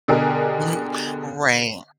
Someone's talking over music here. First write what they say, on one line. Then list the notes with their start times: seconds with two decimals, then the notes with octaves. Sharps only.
Mhm, right.
0.08 B2 D3 G4 G#4 A#4